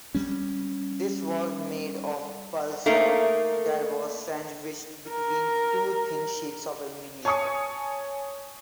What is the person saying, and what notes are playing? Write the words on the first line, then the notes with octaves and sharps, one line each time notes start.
This was made of balsa that was sandwiched between two thin sheets of aluminum.
G3 C#4
A3 A#3 D#4
A#4
C#5 G#5 A5 C#6 D#6 C#7